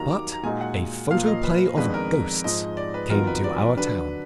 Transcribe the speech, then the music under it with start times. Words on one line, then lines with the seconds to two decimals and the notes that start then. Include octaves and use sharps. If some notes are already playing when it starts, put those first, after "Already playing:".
But a photoplay of Ghosts came to our town.
Already playing: D#2 D#3 F#3 A#3 A#5
0.10 D6
0.32 A#5
0.43 A#2 G#3 D#4 F#4 G#5
0.61 F#5
1.10 A#2 F3 A#3 F5
1.27 D#5
1.43 B4
1.77 F2 D#3 G#3 B3 D4 B4
1.94 A#4
2.44 G#2 F3 G#3 D#5
2.77 D5
2.94 B4
3.10 F2 D#3 F#3 B3 F4 A#4
3.27 B4
3.44 D5
3.77 D3 F#3 D4 B4